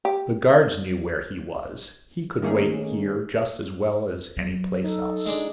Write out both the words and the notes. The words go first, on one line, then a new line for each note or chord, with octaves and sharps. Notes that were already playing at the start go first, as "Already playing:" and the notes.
The guards knew where he was--he could wait here just as well as any place else.
G4
D#3 A3 A#3 C#4 D#4 G#4
F#3
D#4 A4
G#3 D4